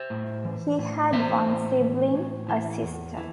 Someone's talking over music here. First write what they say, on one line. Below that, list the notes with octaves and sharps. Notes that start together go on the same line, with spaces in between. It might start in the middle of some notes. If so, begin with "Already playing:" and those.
He had one sibling, a sister.
Already playing: C5 E5
A2
E3
A2
E3 C5 E5
A2
E3
A2
E3
E2
E3